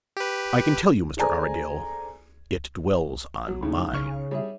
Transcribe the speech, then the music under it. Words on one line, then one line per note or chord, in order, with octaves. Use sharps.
I can tell you, Mr. Armadale, it dwells on mine!
G4 B4
G#4 A4 C5 D5 G#5 A#5
F#3
A2 C#3 D#4
C#3 C#6 F6
G3 G#4 C#5 E5